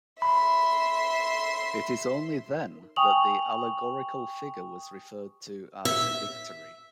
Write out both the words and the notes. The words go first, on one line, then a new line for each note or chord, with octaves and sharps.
It is only then that the allegorical figure was referred to as Victory.
E5 B5 C6
G5 G#5 C#6 D#6 F7 F#7
E5